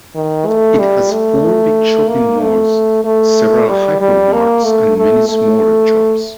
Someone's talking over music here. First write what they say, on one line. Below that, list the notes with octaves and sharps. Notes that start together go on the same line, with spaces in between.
It has four big shopping malls, several hyper-marts and many smaller shops.
D#3
A3
G3
A3
A#3
A3
A3
G3
G3
A#3
A3
A3
A3